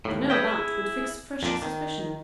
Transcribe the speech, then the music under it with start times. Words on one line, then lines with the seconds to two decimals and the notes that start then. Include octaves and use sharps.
To know that would fix fresh suspicion.
0.05 D#2 A2
0.30 B4 C#5 D#5 E5 G5
0.47 E4 G#4
1.43 F2 A#2 D4
1.62 D#3